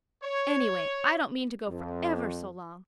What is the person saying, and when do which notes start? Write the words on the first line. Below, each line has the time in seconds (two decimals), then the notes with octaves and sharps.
Anyway, I don't mean to go for ever so long.
0.24 C#5
1.68 F2